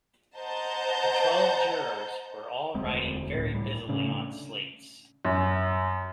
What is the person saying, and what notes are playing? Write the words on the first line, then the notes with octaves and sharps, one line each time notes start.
The twelve jurors were all writing very busily on slates.
C5 D#5 F#5 A5 A#5 G6
E1 D2 G#3 C4
C#2 A2
A2 G3
C#3 A3 C#4 D4
F#2